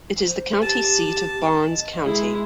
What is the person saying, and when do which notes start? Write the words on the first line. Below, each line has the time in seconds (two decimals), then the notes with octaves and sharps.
It is the county seat of Barnes County.
0.21 C5
0.62 G4 A5
1.70 D#5
2.04 G#3 E4 G#4